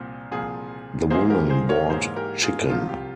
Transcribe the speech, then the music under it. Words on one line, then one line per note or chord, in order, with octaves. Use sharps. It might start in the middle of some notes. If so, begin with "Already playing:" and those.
The woman bought chicken.
Already playing: C2 A#2 F3 C4
C2 A#2 F3 C4 F4 G#4
G#2 E3 A#3 G#4 C5
G4 A#4
G#4 C5
A#4 C#5
G#2 E3 A#3 G#4 C5
G4 A#4
F4 G#4
C2 C3 F3 F4
G4